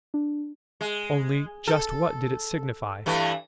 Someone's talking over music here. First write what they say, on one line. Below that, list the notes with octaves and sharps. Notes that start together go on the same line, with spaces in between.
Only--just what did it signify?
D4
G#3
A4
G2 E3 A3